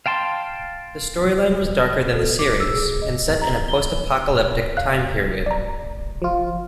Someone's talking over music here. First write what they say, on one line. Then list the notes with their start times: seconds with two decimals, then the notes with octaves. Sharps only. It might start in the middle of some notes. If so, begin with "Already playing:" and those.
The storyline was darker than the series, and set in a post-apocalyptic time period.
0.06 F5 G5 A5 C6
2.14 A4
2.39 D6
2.60 E6
2.73 G#4
3.02 D#5
3.42 A#5
3.68 G7
4.35 B2
4.77 E2 F5 F#6
5.46 D#1 D5 A#5
5.88 F#1
6.22 F3 F4